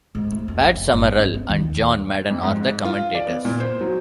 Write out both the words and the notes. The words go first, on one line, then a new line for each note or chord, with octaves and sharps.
Pat Summerall and John Madden are the commentators.
G#2
A3
F2
F#1
G1
C#4
B3
D#2
F2
G#2
F4
D5
B3
A#2
C5
F#3